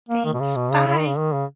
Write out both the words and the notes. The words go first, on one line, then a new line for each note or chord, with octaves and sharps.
Thanks, bye.
A#3
D#3
B2
C#3
B2
C#3
C#3
D#3
C#3
D#3
C#3